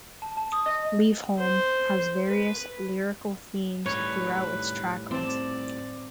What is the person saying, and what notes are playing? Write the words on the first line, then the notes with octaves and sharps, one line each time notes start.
"Leave Home" has various lyrical themes throughout its track list.
A5
A5
D#6
D#5
C5
B4
A2 D#3 G3 B4 C#5
C4 D5 A5